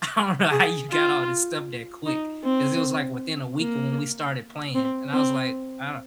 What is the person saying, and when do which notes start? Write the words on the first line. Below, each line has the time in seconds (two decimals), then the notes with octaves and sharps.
I don't know how you got all this stuff that quick, ‘cause it was, like, within a week when we started playing and I was, like, I o
0.51 G#4
0.90 F4
2.06 D#4
2.43 C4
3.59 A#3
4.75 C4
5.13 C4